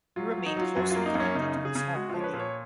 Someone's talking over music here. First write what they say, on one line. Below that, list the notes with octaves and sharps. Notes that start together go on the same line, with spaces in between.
He remained closely connected to his home milieu.
F#3 F4
F4
F#3
D#4
F#3 F4
F#2 F#4
A#3 F4
D#4
F#2
C#4
C#3 D#4
C#3
G#4
C#3
G#3 F#4
F3 F4
C#5
B4
A#2
C#5